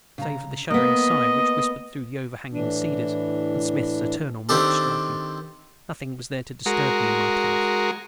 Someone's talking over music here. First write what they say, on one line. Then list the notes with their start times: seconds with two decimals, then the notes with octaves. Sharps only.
Save for the shuddering sigh which whispered through the over-hanging cedars and Smith's eternal match-striking, nothing was there to disturb me in my task.
0.18 C#3 A#5
0.70 A#3 B3 D#5
2.53 A2 E3 D4
4.49 D#3 C4 D4 G4 A4
6.66 G#3 F#4 A#4